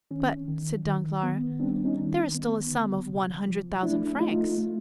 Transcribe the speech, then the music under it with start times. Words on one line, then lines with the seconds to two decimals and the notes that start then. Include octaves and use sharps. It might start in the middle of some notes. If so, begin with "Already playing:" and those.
"But," said Danglars, "there is still a sum of one hundred thousand francs?"
0.11 D#3 C#4
0.48 D#3
0.85 D#3
1.23 B3
1.60 G3 C4 D4
1.84 C#4 D#4
1.97 D#3
2.35 B3
2.71 D3
3.09 C3
3.46 F3
3.83 A3 D4 E4
4.20 A3 D#4 F4
4.58 A3